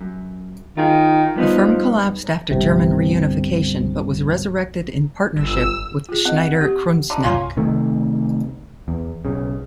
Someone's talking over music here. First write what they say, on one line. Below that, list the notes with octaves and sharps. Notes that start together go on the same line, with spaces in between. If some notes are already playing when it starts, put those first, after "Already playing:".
The firm collapsed after German reunification but was resurrected in partnership with Schneider Kreuznach.
F#2
D#3 F4 G#4
G2 F3 B3 D#4
G1 C2 C3
G1 E6
F4 G#4
C4 D#5 F#5
G4
D3 D#4
C2 F#2 A#3 C#4 F4
C3 D#3 A3
E2
B1 C#3